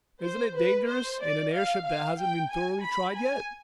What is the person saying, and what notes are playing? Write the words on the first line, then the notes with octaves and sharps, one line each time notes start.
"Isn't it dangerous--in an airship that hasn't been thoroughly tried yet?"
C5
B4
C5
D5
F5
F5
G5
G#5
B5
G#5